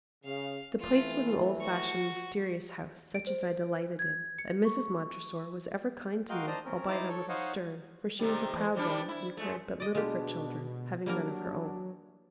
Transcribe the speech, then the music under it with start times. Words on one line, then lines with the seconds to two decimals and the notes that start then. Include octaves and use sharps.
The Place was an old-fashioned, mysterious house, such as I delighted in, and Mrs. Montressor was ever kind to me, albeit a little stern, for she was a proud woman and cared but little for children, having none of her own.
0.25 C#3 F5
0.80 E3 A3 F4
1.61 F#4 C#6
3.15 D7
3.27 C5
3.99 G#6
4.38 C#7
4.65 C#6
6.29 F#4 A#4 D#5 F5 G5 C6
6.47 D4 C5 D5 D#5 A#5
6.65 C4 C#4 A#4
6.88 D#4 E4 C5 D5 A#5 D6
7.09 A4 C#5
7.29 D#4 C5 C#5 D#5 F5 F#5
8.19 C3 D#3 G3
8.54 E2
8.75 C3 G3 D4
9.09 E4
9.37 G#3 A3
9.80 D5 D#5
9.95 B2 G#3 D4 F4 G4
11.06 F#3 G3 A#3 D4 A#4